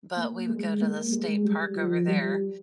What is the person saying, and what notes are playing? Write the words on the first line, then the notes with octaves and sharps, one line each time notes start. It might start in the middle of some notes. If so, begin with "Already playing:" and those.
but we would go to the state park over there,
A#3
G#3
A#3
G#3
G3
F3
G3